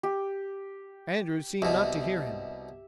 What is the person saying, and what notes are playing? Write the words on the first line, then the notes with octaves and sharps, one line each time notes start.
Andrews seemed not to hear him.
G4
C2 B2 E5